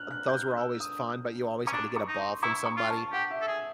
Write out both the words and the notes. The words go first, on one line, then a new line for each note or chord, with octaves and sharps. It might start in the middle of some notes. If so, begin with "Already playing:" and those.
Those were always fun, but you always had to get a ball from somebody,
Already playing: F6 F#6
F#6
G6
F#6
E6
D#6
C#4 C#6
D4 D6
C#6
D#4
C6
E4 C#6
C#6
F4
A5
G4 F#5
E5
A4
G#4